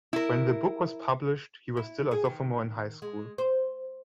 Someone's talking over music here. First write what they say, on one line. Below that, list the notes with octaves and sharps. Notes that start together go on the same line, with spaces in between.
When the book was published, he was still a sophomore in high school.
E4 A#4
E4
G#4
D#3
G#3
C5